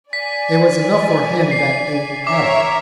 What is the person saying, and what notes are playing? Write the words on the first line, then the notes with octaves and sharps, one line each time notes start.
It was enough for him that he had it.
D5 G#5 B6
C7
A#4 C#5 E5 D6